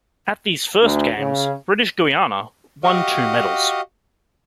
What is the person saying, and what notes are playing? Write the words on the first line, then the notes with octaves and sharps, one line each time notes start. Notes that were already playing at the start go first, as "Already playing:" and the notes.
At these first Games, British Guiana won two medals.
D2
C#3
F#4 G4 D#5 F5